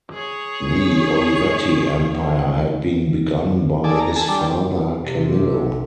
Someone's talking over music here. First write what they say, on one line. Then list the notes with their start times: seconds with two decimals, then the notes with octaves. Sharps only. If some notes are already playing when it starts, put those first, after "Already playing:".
The Olivetti empire had been begun by his father Camillo.
0.13 G#4 C#5
3.84 G#4 A4 D5
4.00 A#5
4.16 A4 G#5 A5
4.28 G3 D4
5.01 C3